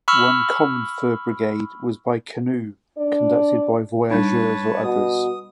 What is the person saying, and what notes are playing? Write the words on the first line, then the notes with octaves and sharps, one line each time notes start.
One common fur brigade was by canoe, conducted by voyageurs or others.
B5 C#6 E6 F6
D4 D5
G3 D4 D#4 B4 C#5 A5
B2 D#6